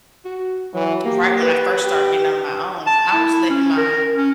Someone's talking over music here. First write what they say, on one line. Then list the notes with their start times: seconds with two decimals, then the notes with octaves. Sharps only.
right when I first started getting out on my own, I was letting my
0.25 F#4
0.74 E3 F#3
1.05 A#3 G4
1.43 B4
1.82 G4
2.87 A5
3.13 E4
3.50 C#4
3.77 A#4
4.15 C#4